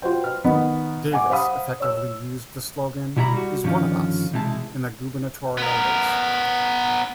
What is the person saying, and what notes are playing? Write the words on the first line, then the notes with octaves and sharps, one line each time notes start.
Davis effectively used the slogan "He's One of Us" in the gubernatorial race.
F4 F#4 C5 G5
B4 F6
D#3 B3 D#5 B5
F#5 G#5 D6
C5 F5 F#5 B5 D#6
C#5 E6
B2 G3 E4 F#5 A#5 B5
G3 F#4
G2 D3 D#3 F3 C#4 F4
B1 C3 E3 G#3 E4 A5
B3 A#4